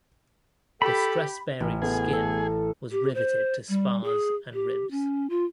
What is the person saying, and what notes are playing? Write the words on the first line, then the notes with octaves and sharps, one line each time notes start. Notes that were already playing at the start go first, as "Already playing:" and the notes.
The stress bearing skin was riveted to spars and ribs.
G4 A4 B5
A1
A3 B3 G#4
A4
G4
C5
G3
G#4
G4
C#4
F4